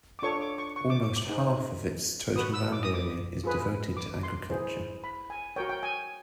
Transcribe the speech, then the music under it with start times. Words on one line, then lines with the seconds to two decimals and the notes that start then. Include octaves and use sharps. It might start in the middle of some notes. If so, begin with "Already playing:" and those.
Almost half of its total land area is devoted to agriculture.
0.19 D6
0.22 D4 F4 A4 C#5 C#6
0.41 D6
0.58 C#6
0.76 C#6
0.90 D6
1.03 D6
1.16 D6
1.29 D#4 G#4 C5
2.36 F#4 B4 D#6
2.54 E6
2.72 D6
2.83 D#6
2.94 D6
3.44 F4 G#4 B4
3.97 D6
4.23 C6
4.50 E4 G#4 C5
5.04 B5
5.30 G#5
5.56 F#4 A#4 C#5 G5
5.69 G5
5.83 G#5